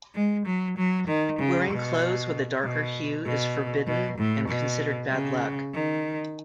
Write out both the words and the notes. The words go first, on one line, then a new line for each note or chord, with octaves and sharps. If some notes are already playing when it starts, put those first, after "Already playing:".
Wearing clothes with a darker hue is forbidden and considered bad luck.
G#3
F#3
F#3
D#3
C#3
B2
B2
B2
B2
A2
B2
C#3
D#3